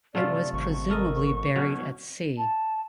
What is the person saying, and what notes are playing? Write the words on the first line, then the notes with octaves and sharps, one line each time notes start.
It was presumably buried at sea.
F#2 C3 A3 F4 D5
G#1 C#6
A4 A#4 D#5
B2 F#3 C#4
A5